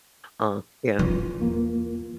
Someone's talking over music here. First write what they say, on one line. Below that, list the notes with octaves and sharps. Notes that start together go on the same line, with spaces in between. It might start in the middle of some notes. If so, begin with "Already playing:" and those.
Uh, yeah.
E3 F4
E2 A#3